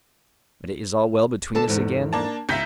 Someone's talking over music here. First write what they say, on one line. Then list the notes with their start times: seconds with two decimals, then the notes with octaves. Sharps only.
"But it is all well between us again?"
1.55 D3 A4 A5
1.67 E2 G#2
2.13 A#3 D4 A5
2.49 C#2 D#4 E5 G6 B6